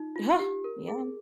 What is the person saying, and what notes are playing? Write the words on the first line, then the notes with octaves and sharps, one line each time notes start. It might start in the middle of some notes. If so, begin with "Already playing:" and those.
Uh-huh. Yeah.
Already playing: D#4 F4
F4
G4
A#4
G#4